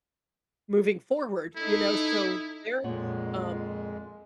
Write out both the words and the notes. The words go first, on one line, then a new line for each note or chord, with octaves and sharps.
moving forward, you know, so their, um,
D#4 E4 A4
F2 A#2 G#3 C#5 F#5